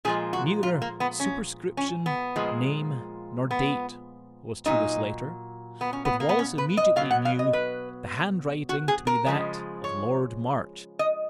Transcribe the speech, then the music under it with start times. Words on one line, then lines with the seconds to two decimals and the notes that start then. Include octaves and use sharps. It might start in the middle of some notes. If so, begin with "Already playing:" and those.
Neither superscription, name, nor date, was to this letter; but Wallace immediately knew the handwriting to be that of Lord March.
0.05 A#2 F3 G#3 G#4
0.33 F#4
0.63 F4
0.82 A#3
1.00 B3
1.20 C#4
1.77 C#4
2.06 B3
2.36 A#2 F3 G#3
3.51 B3
4.65 A#2 F#3 D#4
5.81 B3
5.93 C#4
6.05 B3
6.20 A#3
6.29 B3
6.39 C#4
6.58 B4
6.77 D#5
6.96 B2 F#3 F5
7.11 F#5
7.25 F5
7.39 D#5
7.53 B4
8.69 F#4
8.88 G#4
9.07 A#4
9.26 C#3 F3 G#3
9.84 C#5
10.99 D#5